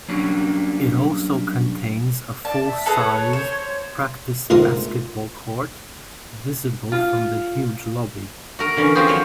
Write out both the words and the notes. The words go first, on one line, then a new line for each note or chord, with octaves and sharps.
It also contains a full-sized practice basketball court, visible from the huge lobby.
F#3 G3 A#3 C#4 D4
D5 A5
E5
G#4 A4 B4 A#5
C#5
C5
D2 G#2 F4 A#4 F5 C6
F4
F#4 A#4
D3 E3 C#4
F3 C4 F4 F#4 G#4 G5
F#3 C#5